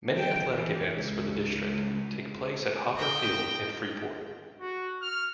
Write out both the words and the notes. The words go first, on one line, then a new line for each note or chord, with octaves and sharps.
Many athletics events for the district take place at Hopper Field in Freeport.
G5
E3
C#2
D#5 G5
F#4
F6